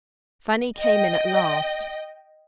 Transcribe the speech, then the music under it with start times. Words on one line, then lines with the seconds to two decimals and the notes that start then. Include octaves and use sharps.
Fanny came in at last.
0.80 D#5 G5